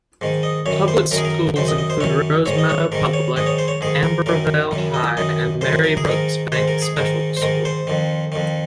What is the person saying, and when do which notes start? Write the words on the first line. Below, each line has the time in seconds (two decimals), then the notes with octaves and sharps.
Public schools include Rosemeadow Public, Ambarvale High and Mary Brooksbank Special School.
0.21 G#2 D#3
0.43 D#5
0.66 F#2 C#5
0.71 D#3
0.88 C5
1.11 F#2 A#4
1.14 D#3 G#4
1.25 A#4
1.56 F#2 D#3 C5
1.68 D#5
1.78 D#5
1.90 C5
2.01 F#2 D#3 C#5
2.46 G#2 C#5
2.51 D#3
2.59 D#5
2.70 C#5
2.92 G#2 D#3 A#4
3.14 C#5
3.36 G#2 D#3 D#5
3.47 C#5
3.58 C5
3.68 C#5
3.81 G#2 D#3 G#4
4.04 A#4
4.26 F#2 D#3 A#4
4.71 F#2 D#3
4.94 D#5
5.17 F#2 D#3 D#5
5.61 F#2 D#3 C5
5.84 A#4
5.97 G#4
6.07 G#2 D#3 A#4
6.52 G#2 D#3 C5
6.68 A#4
6.82 G#4
6.96 G#2 D#3 A#4
7.37 C5
7.42 G#2 D#3 A#4
7.65 C5
7.87 F2 D#3
8.32 F2 D#3